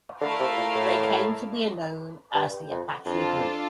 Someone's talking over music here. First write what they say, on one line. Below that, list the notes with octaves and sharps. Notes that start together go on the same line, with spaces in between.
They came to be known as the Apache Group.
D3 A3 E4 A#4 F5
C3
A#2
A2
G2
F2
F2 D4 F4 A4